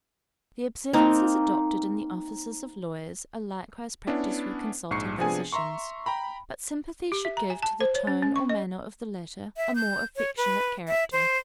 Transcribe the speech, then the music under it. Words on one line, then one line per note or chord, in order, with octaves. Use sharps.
The observances adopted in the offices of lawyers, are likewise practised with consulting physicians; but sympathy should give to the tone or manner of the latter a more affectionate character.
A#3 C4 D#4
B3 C#4 D4 E4
A#1 G#2 C#6 C7 C#7
C3 F3 B3 D4 G#4 G#5
E5 A#5 C6 C#6
G5 A#5 B5
G4
E5
A#5
G#5
A5
C5
C#5
C#4
C#4
C#6
D#5
E5
G6
C#5
B4
E5
C5